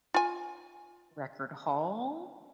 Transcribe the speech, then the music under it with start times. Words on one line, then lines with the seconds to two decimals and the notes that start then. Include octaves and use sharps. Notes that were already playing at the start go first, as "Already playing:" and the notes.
Record haul?
0.14 F4 G#5